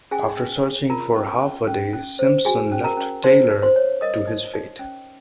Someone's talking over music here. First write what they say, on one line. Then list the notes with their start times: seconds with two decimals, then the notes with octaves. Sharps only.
After searching for half a day, Simpson left Taylor to his fate.
0.11 C#4 G#4 G#5
0.37 C#4
0.63 G#4
0.90 F4 A#4 A#5
1.16 C#4
1.41 C#4
1.67 C#4
1.93 C#4
2.19 C5
2.45 F#4 G#4 G#5
2.72 C#4
2.84 A#4 A#5
2.97 C#4
3.24 D#4 C5 C6
3.50 D#4
3.62 C5 C6
3.76 C#5
4.01 A#4 D#5 D#6
4.28 D#4
4.53 D#4
4.79 C#4